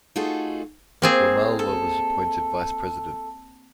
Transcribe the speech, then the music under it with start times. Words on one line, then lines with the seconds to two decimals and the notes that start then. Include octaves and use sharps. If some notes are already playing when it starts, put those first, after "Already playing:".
Wamalwa was appointed vice-president.
0.16 A3 D#4 F4 F#4 G#4 A4
1.02 A#3 C4 G#4
1.59 A4